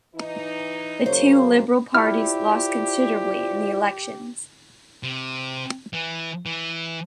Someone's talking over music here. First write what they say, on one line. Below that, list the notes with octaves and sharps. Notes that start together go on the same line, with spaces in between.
The two liberal parties lost considerably in the elections.
E3 D#4
F#2 C#3 A#3 C5 C#5
E4 F4 G4 C5 D5 F6
C3
E3
E3